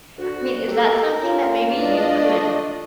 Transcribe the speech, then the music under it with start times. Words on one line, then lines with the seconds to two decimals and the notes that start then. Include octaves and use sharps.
I mean, is that something that maybe you could
0.18 D2 F#4
0.68 G4 A4 A#4
1.22 C#4 F4
1.71 E2 D4 D5 D#5
2.24 A3